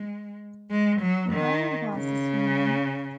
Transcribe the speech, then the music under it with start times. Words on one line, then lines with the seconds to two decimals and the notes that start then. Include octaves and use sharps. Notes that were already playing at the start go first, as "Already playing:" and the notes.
His brain was swimming.
Already playing: G#3
0.70 G#3
1.01 F#3
1.33 D#3
1.95 C#3